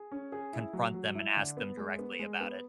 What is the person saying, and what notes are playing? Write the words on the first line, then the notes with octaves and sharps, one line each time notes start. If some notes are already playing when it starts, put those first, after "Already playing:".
confront them and ask them directly about it.
Already playing: G#4
C#4
G#4
E4
F#3
F#3
E4
D3
B3
G#3
B3
G#3
B3